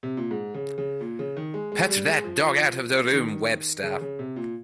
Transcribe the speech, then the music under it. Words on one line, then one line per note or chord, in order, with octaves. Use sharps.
Put that dog out of the room, Webster.
C3
A#2
G#2
C#3
C#3
A#2
C#3
D#3
G#3
G#3
G3
G#3
F3
F3
D#3
C#3
C#3
C3
A#2